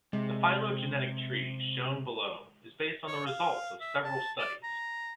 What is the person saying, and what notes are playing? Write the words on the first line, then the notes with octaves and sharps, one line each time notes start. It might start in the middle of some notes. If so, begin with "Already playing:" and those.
The phylogenetic tree shown below is based on the results of several studies.
C3 G#3
C#5
F5
E5
A5
D5
A#5